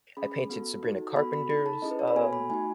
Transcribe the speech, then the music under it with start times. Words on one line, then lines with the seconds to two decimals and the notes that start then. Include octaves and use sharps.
I painted Sabrina Carpenter's, um,
0.17 C#4 G#4 B5
0.50 B3 F#4 A4
0.83 D#4 F#4 A4
1.16 B3 F#4 A4 B5
1.33 B5
1.50 D#4 A4 B5
1.66 A5
1.82 C#4 E4 G#4 D#5
1.91 B4
1.99 C#5
2.08 B5
2.16 B3 F#4 A4 G#5
2.33 B5
2.50 A3 D#4 F#4 G#5